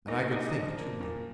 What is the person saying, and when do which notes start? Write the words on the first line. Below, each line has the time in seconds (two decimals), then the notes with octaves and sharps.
And I could think, too.
0.08 A#2 D#4 D#5
0.31 D4
0.54 F3
0.78 A#3
1.01 A#2